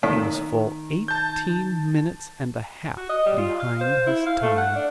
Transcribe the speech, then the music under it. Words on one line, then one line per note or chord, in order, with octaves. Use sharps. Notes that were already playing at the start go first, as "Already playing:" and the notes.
He was full eighteen minutes and a half behind his time.
A2 D#3
A5 G6
F#4
D#5
G3
F4
F5
C5
E4
F5
A3
F#5
D4